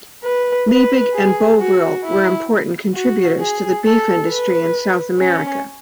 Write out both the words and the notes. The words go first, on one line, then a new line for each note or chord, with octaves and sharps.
Liebig and Bovril were important contributors to the beef industry in South America.
B4
B4
G#4
F#4
E4
F#4
G#4
A4
B4
C#4